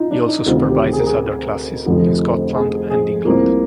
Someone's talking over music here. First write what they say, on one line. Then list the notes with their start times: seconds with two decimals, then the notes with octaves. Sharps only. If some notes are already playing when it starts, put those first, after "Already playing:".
He also supervises other classes in Scotland and England.
Already playing: D#4 F4
0.11 D4
0.28 D#4
0.46 D2 C3 D#3 F4
0.69 G4
0.93 G#4
1.00 A#4
1.06 G#4
1.86 F1 F2 D3 F3
2.55 G#4
2.90 G#4
3.25 C2 C3 F3 A#3